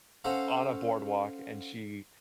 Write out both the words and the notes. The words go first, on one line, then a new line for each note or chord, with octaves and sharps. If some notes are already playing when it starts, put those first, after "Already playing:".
on a boardwalk, and she
C#4 F#4 A4 C5 F5 A#5